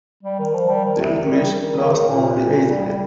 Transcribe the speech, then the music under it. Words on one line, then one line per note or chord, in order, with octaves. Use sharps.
The English lost only eight men.
G3
D#3
F3
G3
D#3
C3
D#3
G3
D#3
D#3
D#3
A#2
G3
G3